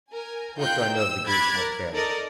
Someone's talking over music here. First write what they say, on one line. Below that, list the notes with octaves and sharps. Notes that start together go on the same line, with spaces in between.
What do I know of the Grecian affair?
A#4 G#5
D#4 F4 G5 F#6 G6
E6
B5 D6 F#6 G#6 A6
A#4
D#4 A4 A#4 D5 D#5